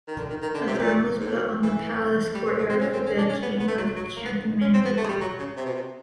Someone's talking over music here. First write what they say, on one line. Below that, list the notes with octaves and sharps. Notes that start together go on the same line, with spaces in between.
A throne was put on the palace courtyard for the king of Kathmandu.
D#3
D3
D#3
D#3
D3
C3
A2
A#2
G#2
A2
B2
E3
G3
G#3
A3
C4
C#4
C4
C#4
D4
C#4
B3
B3
A3
F#3
F#3
A#3
B3
C#4
C4
B3
A3
G#3
G3
F#3
C#3
C3
B2
C3